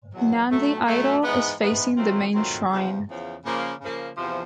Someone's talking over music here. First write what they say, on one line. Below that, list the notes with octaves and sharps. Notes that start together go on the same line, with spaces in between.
Nandi idol is facing the main shrine.
E2 B2 F#3
B2 F#3 A3
B2 F#3 A3
G#2 E3 G#3 B3
G#2 E3 G#3 B3
D#3 F#3 A3 C4 F4
D#3 F#3 A3 C4 F4
E2 C#3 F3
E2 C#3 F3
C#3 F3 A#3
C#3 F3 A#3
E2 C3 F3